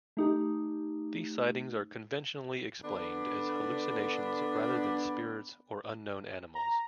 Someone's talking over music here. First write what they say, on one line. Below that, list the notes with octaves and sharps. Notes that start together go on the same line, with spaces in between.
These sightings are conventionally explained as hallucinations rather than spirits or unknown animals.
A3 D#4 G4
D3 B3 D4 B5
A#5